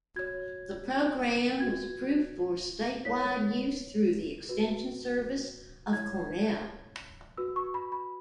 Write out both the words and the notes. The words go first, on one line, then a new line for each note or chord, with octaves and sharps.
The program was approved for statewide use through the extension service of Cornell.
F#4 C#5 G#6
F#4 B4 G#6
E4 C#5 B6
F#4 B4
E4 C#5 G#6
F#4 B4 E6
C#6
B5
B5